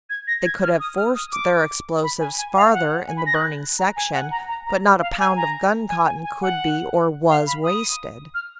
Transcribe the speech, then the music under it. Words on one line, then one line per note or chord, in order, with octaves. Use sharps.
They could have forced their explosives farther in the burning section, but not a pound of guncotton could be or was wasted.
G#6
A#6
G#6
F6
D#6
F6
D#6
D6
B5
G#5
G#5
F5
F#5
G#5
B5
A#6
F#6
A#5
G#5
F#5
A#5
A#5
A#5
F5
G#5
A#5
G#5
G#5
G#5
F#5
F5
B5
D#6
F6